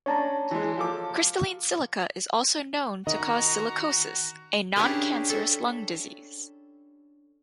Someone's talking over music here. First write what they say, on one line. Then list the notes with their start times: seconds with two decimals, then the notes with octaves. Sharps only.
Crystalline silica is also known to cause silicosis, a non-cancerous lung disease.
0.06 C#4 D4 C#5 A5 A#5
0.51 E3 G#3
0.77 F3 A4 D6
3.07 D#3 F#4 D#5 A#5
4.76 C#4 D4 E4 G4 G#4 A#4
5.29 A4 E5